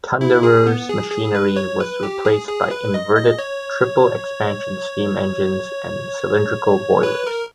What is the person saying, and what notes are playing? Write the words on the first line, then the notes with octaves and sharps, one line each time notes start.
"Thunderer"s machinery was replaced by inverted triple-expansion steam engines and cylindrical boilers.
E4
G#4
B3
G#4
G#4
B4
C#5
B4
G4
G#4
G#4
B4
D#5
D#5
C#5
B4
A#4